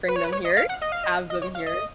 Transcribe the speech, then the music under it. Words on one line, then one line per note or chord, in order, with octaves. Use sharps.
bring them here have them here.
B4
C#5
B4
C#5
D#5
F5
F#5
D#5
F5
D#5
D#5
C#5
F5
D#5